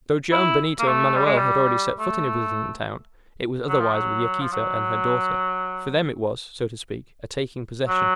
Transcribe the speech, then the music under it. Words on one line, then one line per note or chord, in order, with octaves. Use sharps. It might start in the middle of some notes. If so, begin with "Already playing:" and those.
Though Joam, Benito, and Manoel had already set foot in a Brazilian town, it was otherwise with Yaquita and her daughter; for them it was, so to speak, a taking possession.
E4
A#3
A3
G3
G#3
G3
A3
F#3
F3
F#3
F3
F#3
F#3